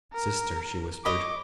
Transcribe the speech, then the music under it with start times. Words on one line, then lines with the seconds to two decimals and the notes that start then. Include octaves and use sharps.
"Sister!" she whispered.
0.13 A#4
1.05 C#5 D#5 B5 D6